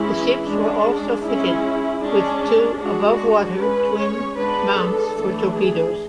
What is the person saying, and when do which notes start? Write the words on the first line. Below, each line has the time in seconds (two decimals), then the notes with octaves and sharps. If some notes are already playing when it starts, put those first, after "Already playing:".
The ships were also fitted with two above-water twin mounts for torpedoes.
Already playing: E3 G#3 C#4 E4
0.45 G#3 C#4 D4
1.23 G#3 C#4 E4
2.01 G#3 C#4 D4
2.79 G#3 D4 F#4
3.57 G#3 C#4 B4
3.97 C#5
4.35 G#3 B3 D4 B4
4.75 A4
5.13 E3 A3 D4
5.52 G#4